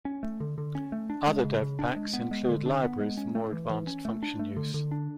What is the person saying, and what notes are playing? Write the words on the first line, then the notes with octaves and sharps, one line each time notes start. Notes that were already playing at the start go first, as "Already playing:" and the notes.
Other DevPaks include libraries for more advanced function use.
C#4
A3
D3
D3
C#4
A3
D4
G#3
C#3
C#3
D4
G#3
B3
G#3
D3
D4
B3
G#3
C#4
A3
E3
E3
C#4
A3
D4
A3
D3
D3
D4